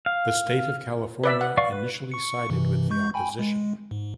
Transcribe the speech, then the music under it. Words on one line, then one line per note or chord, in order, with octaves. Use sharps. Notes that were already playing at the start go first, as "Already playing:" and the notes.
The state of California initially sided with the opposition.
F5
B4 D5 E5
F#5
D5 F5 C#6
B4
C#6 C#7
G2 C3 E3
G#3 C#6 G6
G5 G#5 B5
G#3
G#2